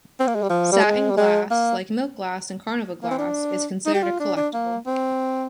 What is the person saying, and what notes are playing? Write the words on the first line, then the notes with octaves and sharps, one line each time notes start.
Satin glass, like milk glass and carnival glass, is considered a collectible.
C4
A#3
G#3
G3
F3
G3
G#3
G3
G#3
A#3
A#3
C4
D4
D#4
G4
F4
D4
D4
A#3
C4